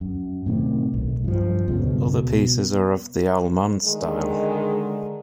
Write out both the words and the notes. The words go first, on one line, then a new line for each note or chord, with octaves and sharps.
Other pieces are of the allemande style.
F#2
A2 C3 D#3
B1
G2 F3
C#2 G2 B2
B2
D3 D#3 G#3